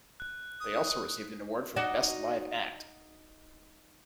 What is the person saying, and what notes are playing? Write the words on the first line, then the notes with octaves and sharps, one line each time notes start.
They also received an award for "Best Live Act".
F#6
D#6
D#4 F#4 D5